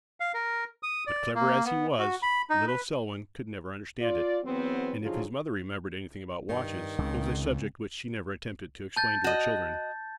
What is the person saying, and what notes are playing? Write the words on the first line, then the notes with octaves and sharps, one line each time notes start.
But clever as he was, little Selwyn could never understand it, and if his mother remembered anything about watches it was a subject which she never attempted to explain to her children.
F5
A#4
D#6
D5
A#3
B3
F#4
B5
D#4
B4
F4 D5
E2 F#3 B3 C4
D3 F3 F#3 D#4 F4 G#4
G2 D#3
C#2 C#3 G#3 C4
A5 G6 A6
F#4 D#5